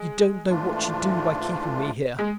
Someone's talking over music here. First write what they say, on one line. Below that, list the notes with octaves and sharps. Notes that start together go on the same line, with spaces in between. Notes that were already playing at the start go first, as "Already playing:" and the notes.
You don't know what you do by keeping me here.
Already playing: G#3
G#2 E3 A3 D4 F4
G#3